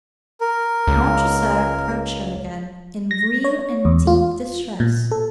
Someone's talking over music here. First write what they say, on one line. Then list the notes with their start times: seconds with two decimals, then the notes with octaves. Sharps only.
Montresor approached her again, in real and deep distress.
0.41 A#4
0.88 C#2
3.11 A#6
3.44 C#5
3.85 E2
4.07 F4
4.80 A#2
5.11 A4